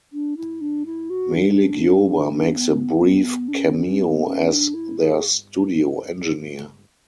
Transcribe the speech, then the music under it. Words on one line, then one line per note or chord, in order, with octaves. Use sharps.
Malik Yoba makes a brief cameo as their studio engineer.
D4
E4
D4
E4
F#4
D4
B3
D4
C#4
C#4
B3
C#4
D4
E4
G#4